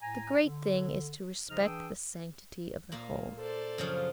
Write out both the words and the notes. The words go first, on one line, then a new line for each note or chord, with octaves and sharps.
The great thing is to respect the sanctity of the home.
A2 G#5 A#5
D3
C#3 F3 D#4 C5 D#5 F6
E3 D4 G#4 G5 D#6 E6
A#2 A#3
A4 C5 D5
F#2 C#3 F3